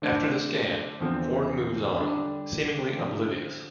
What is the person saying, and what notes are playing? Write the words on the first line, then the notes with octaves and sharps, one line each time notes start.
After the scan, Horn moves on, seemingly oblivious.
D3 A3 D4 A4 C5
E2 D3 F3 C4
D3 G3 D4
D3 F3 C4